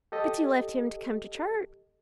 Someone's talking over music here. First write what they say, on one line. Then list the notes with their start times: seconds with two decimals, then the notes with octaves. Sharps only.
'But you left him to come to church.'
0.12 G4 A4 D#5